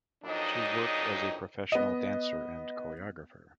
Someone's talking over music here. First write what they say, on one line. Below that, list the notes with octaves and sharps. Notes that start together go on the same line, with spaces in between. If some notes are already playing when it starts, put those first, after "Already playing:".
She worked as a professional dancer and choreographer.
F2 A#2 F#3 D4 D#4 D#5
B3 D#5